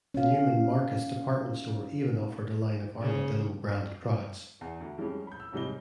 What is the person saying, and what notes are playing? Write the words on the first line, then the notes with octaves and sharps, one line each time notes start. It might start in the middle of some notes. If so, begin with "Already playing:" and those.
The Neiman Marcus department store even offered a line of Armadillo-branded products.
C#4 F5
C#3
E2
D2
F2 G3 G#3 C#4
B5 G6
E6
E1 G#2 C3 G3 D#5 G7